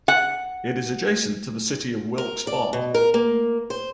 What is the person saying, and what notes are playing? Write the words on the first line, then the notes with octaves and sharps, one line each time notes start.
It is adjacent to the city of Wilkes-Barre.
F#5
A#4
D5
B2
A#4
A#3
C5